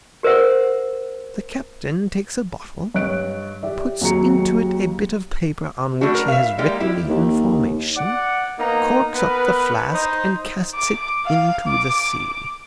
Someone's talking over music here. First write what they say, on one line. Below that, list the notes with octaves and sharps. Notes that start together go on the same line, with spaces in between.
The captain takes a bottle, puts into it a bit of paper on which he has written the information, corks up the flask, and casts it into the sea.
G4 A#4 C5 E5 F#5
G2 C#5 D#5 F#6 D7
G4 D5 E5
D#2 F#3 G#4 A#5 C#7
G3 A3 C#4 D4 F#4
A#4
E5 F5
G3 G#3 A#3 D#4 G4
E4 G4
D#2
D5 F#5
A#3 B3 D#4 A#5
B3 A#4 B4
D#4 C5
D6
F5
D6